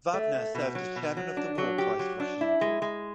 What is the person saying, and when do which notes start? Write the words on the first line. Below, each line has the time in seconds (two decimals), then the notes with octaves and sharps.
Wagner served as chairman of the War Price Rationing Board.
0.13 A3
0.34 A3
0.55 B2
0.75 F#3
0.96 B2
1.17 F#3
1.37 D4
1.58 F#3
1.78 G4
1.99 F#3
2.20 D4
2.41 E4
2.61 G#3
2.82 G#3